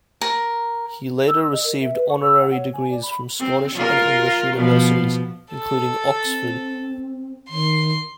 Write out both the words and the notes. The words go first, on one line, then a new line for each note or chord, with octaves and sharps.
He later received honorary degrees from Scottish and English universities, including Oxford.
A#4
E6
D#5
A#4
E5
B4
C#6
E6
F#5
C#5
G#5
D5
B5
C4
F4 A#4
B2 F3
A4
C4
D#3 C6